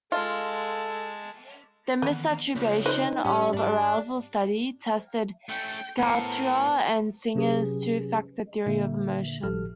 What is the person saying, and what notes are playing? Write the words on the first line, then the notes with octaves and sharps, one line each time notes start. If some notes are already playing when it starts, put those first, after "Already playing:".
The misattribution of arousal study tested Schachter and Singer's two-factor theory of emotion.
G#3 F4 A4 A5
D#3 E3 A#3 B3
C#3 F3 A#3
C4 D#4 B4 C5
A2 G3 C#4
G#2 D5 A5
A3 C#4 G5
A2 B3 A#4 C5 A5
C3 F#3 C#4 G4 G#4 B4
A#2 D3 A#3 E5
G#1 A2 F3 G4 A4 F6